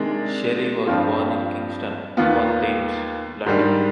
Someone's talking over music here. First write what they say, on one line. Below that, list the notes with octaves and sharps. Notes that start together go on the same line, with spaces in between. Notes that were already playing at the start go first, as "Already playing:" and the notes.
Sherry was born in Kingston upon Thames, London.
Already playing: C3 D#3 G#3 D4
G2 F3 C4 F4
D#2 D#3 B3 F4
G#2 D#3 G3 D4